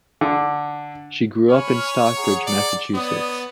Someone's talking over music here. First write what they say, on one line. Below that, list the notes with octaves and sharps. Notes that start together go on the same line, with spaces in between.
She grew up in Stockbridge, Massachusetts.
D3
C#5 G#5 B5 F6
G#4 F#5 A#5
D5
B3 C#5 D5 D#6